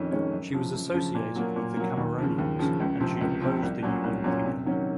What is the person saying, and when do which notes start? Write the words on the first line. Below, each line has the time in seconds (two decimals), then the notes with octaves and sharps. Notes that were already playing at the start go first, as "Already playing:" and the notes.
She was associated with the Cameronians and she opposed the union with England.
Already playing: F2 D#3 C#4
0.11 D#3 G#3 C#4
0.32 F#2
0.53 C#3 F3
0.74 F#2
0.94 C#3 F3
1.15 A#2
1.35 F#3 A#3
1.56 A#2
1.76 F#3 A#3
1.97 D#2
2.18 C#3 F3
2.38 D#2
2.59 C#3 F3
2.80 C#2
3.00 C3 F3 C4
3.21 C#2
3.41 C3 F3 C4
3.63 C2
3.83 A#2 F#3 C#4
4.04 C2
4.24 A#2 F#3 C#4
4.44 C3
4.65 D#3 F#3 C#4